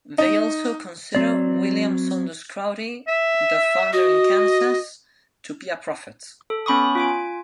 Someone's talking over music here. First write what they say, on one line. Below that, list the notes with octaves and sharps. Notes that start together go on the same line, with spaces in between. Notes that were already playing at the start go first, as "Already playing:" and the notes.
They also consider William Saunders Crowdy, their founder in Kansas, to be a prophet.
D#4
F#3 C4 D5
E5
F#4 D#5
A4
B3 C#4 B5 C#6 D#6
F4 G#5 D7